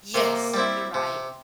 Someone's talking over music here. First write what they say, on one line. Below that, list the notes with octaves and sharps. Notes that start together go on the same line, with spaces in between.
Yes, you're right.
C3 A#3
G3 C4 E4
C3